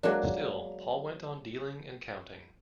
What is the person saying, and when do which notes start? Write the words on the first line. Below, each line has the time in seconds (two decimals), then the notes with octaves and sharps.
Still Paul went on dealing and counting.
0.03 F#3 G#3 A#3 D4